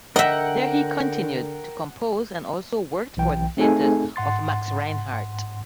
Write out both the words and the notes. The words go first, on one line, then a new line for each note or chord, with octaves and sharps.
There he continued to compose and also worked for the theatres of Max Reinhardt.
D3 A#4 D#5 E5 F#5 G5
B1 E3 G5
A3 C4 D#4 G#4 A4 G#5
G#2 F#5 C6 A6